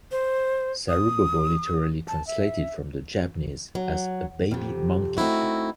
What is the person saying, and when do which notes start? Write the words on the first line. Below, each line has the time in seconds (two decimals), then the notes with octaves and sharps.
Sarubobo literally translated from the Japanese as "a baby monkey".
0.11 C5
0.89 D#6
2.08 A5
2.27 E5
3.75 F#3
4.51 F2 C3
5.17 A3 C4 D#4 E4 F#4